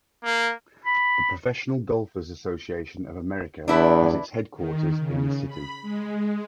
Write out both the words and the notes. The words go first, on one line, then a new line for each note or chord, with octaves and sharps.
The Professional Golfers' Association of America has its headquarters in the city.
A#3
B5
E2 D4 E4 B4
D#3
C#3
B5
G#3